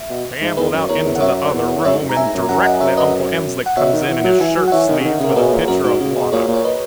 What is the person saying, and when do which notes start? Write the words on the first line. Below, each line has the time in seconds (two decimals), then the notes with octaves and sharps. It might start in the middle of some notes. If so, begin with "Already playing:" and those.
She ambled out into the other room, and directly Uncle Emsley comes in in his shirt sleeves, with a pitcher of water.
Already playing: E5
0.10 B2
0.41 G#2
0.57 E2 G#4 B4
0.73 F#2
0.89 E2 A#4 C#5
1.05 E2
1.16 F#5
1.20 F#2 C#5 E5
1.53 E2
1.84 F#2 C#5 E5
1.93 G#2
2.01 F#2
2.09 G#2 A#5
2.16 F#2 E5 G#5
2.25 G#2
2.34 F#2
2.49 F#2 F#5 A#5
2.64 D#5 F#5
2.80 C#5 E5
2.97 B4 D#5
3.66 F#5
3.77 B2 C#5 E5
3.93 D#3
4.08 E3
4.24 F#3
4.40 E3 E5 G#5
4.57 F#3
4.68 F#5
4.72 E3 C#5 E5
4.88 D#3
5.00 C#3
5.05 D#3
5.20 C#3 A#4
5.36 B2 G#4 B4
5.48 B2
5.52 A#2
5.68 F#2 F#4 A#4
5.84 G#2 F#4
6.00 C#3 F#4
6.16 B2 G#4
6.32 A#2 A#4 C#5
6.48 A#2
6.54 C#5
6.64 B4 D#5